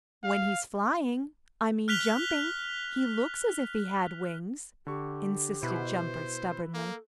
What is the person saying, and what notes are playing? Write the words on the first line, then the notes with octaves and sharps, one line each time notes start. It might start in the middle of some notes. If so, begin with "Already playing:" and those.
"When he's flying, I mean jumping, he looks as if he had wings," insisted Jumper stubbornly.
F5
F6 F#6 B6 F7 G7
D3 G4 C#6
B2 E4 B4 C5
A#3 A4